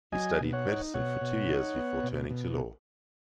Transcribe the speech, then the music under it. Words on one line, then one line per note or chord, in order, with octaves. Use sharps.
He studied medicine for two years before turning to law.
F#3 D#5 G#5
B2
C#5 F#5
D#4
B2 C#5 F#5
B2
D#4
B3
B2
B2